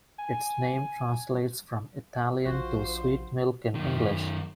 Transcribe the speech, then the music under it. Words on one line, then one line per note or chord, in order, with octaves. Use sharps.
Its name translates from Italian to 'sweet milk' in English.
G#5
A#1 F4 F#4 C5
F#2 D#3